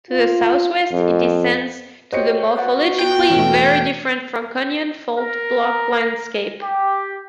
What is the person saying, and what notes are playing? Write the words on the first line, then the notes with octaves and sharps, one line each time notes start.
To the southwest it descends to the morphologically very different Franconian fault-block landscape.
F4
F2
F#4 G4 C5 C#5 D#5 C#7
B3 F#4 B4 D5 F#5
G5
E2 B2 A3 C#4
A#4
G4